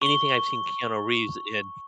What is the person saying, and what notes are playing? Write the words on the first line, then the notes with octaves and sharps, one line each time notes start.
anything I've seen Keanu Reeves in
C#6 G7